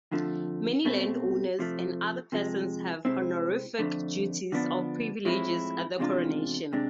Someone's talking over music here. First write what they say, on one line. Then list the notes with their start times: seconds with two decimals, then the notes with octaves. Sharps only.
Many landowners and other persons have honorific "duties" or privileges at the coronation.
0.11 F2 D3 F3 A3
0.85 B2 A3 C4
1.59 C3 F3 A3
2.32 C3 F3 G#3
3.05 C3 G#3 C4 E4
3.78 F2 D3 A3
4.52 D3 F3 B3 D4
5.25 A2 F3 G#3 C4 E4
5.98 E2 C3 G#3 D4 F4
6.73 C3 G#3 D4